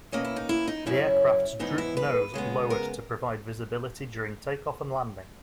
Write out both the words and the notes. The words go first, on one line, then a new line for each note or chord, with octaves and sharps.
The aircraft's Droop-nose lowered to provide visibility during takeoff and landing.
B2 A#3 C#4 D#5
E4
D#4
E4
D#4
F#2 C#3 F#3 C#4 E4
G#2 E3 B3 D#4
E4
B4
C#3 G#3 B3
A#4